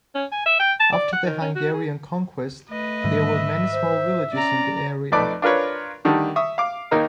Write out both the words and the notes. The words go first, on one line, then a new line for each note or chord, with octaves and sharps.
After the Hungarian Conquest, there were many small villages in the area.
C#4
G#5
E5
G5
A5
D5
F#5
D#3
C#4
F#4
G#4
A3 B4 D#5
G#2 D#3 G3 E5
C5
C#4 D5 A#5
F2 A3 D#4 B4 D5 D6
D4 F4 A#4 B4 C#5
D3 D#3 G3 A3
E5 C#6 D#6
F5 D6
D#2 A#3 D#4 A#4 A#5